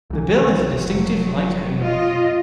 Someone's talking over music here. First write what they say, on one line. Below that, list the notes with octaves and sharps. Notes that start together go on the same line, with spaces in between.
The bill is a distinctive light green.
C2 E3
F1 F3 F#3
F4 D#5